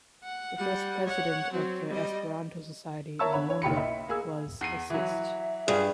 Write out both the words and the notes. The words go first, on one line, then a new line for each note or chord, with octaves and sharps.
The first president of the "Esperanto society "La Mondo"" was Assist.
F#5
G3 F#5
C#5 F#5
F#3 C4
G3 D#5
A#4 C#5 E5 A5 C#6 E6
D3 C#5 B5
C#5
F#1 B1 G4 B5 C#7
D#5 E5 B5
A#3 G#4 E6
E2 C7 D#7
E3 F#3 E5
G2 F4 G#4